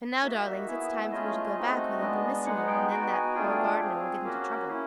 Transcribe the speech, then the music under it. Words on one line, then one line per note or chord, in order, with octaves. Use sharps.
"And now darlings it's time for you to go back or they'll be missing you and then that poor Gardener will get into trouble!"
A#3 D#4 F#4 E5
B3 E4 G#4
A3 C#4 F4 G#4 D#5
A3 C4 D#4 F#4
G#3 B3 D4
G#3 B3 D#4 G#4 F#5
G5
B3 D#4 F#4 G5
G#5
A3 D4 F4 G#4 G5
G5
G5
C4 F4 G#4
A#3 C#4 F#4
C#4 E4 G#4